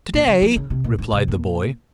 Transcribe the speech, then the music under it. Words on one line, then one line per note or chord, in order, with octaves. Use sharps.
"To-day!" replied the boy.
A#2
C#3
F3
C#3
C3
A#2
G#2
C3
A#2